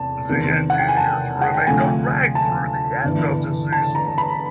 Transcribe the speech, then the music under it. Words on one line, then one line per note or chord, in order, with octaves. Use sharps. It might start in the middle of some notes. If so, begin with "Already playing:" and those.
The Engineers remained unranked through the end of the season.
Already playing: E2 C3 A5
E2 C3 D#3
F#5
G5
G#5
A5
F#5
G5
D2 C3 F3 A3 G#5
A5
G1 G2 E3
A5
A#5
B5